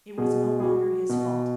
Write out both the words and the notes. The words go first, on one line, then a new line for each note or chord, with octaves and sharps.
It was no longer his fault.
B2 G#4
G#4
F#4
B2